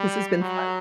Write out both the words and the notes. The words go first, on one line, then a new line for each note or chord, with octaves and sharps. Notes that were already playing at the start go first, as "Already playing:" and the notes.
This has been fun.
Already playing: G3
F#3